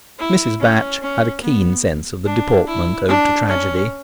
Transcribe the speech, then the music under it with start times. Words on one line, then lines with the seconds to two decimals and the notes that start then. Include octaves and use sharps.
Mrs. Batch had a keen sense of the deportment owed to tragedy.
0.19 E4
0.61 C#4
1.02 C#4
1.43 B3
2.25 D4
2.67 E4
3.09 D4
3.49 C#4